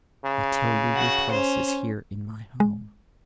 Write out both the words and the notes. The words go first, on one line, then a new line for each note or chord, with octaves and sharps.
I tell you, your place is here in my home.
C#3
F#4 F#5
C#4 C5
G#3